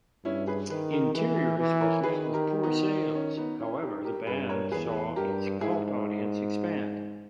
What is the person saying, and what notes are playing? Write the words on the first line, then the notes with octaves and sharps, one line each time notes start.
"Interiors" was met with poor sales, however the band saw its cult audience expand.
G2 C#4 E4
G#4 B4
D#3 G#4 B4
G4 A#4
E3 G#4 B4
G#4 B4
E3
A#4 C#5
D#3 G#4 B4
G4 A#4
B3 D#4
C#4
B3 D#4
C#4 E4
D#4 G4
G4 A#4
G2 G#4 B4
A#4 C#5
E2 G#4 B4
G2 G4 A#4
G#2 E4 G#4